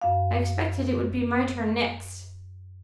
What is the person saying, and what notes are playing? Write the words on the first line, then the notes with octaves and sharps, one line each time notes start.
I expected it would be my turn next.
F#2 F5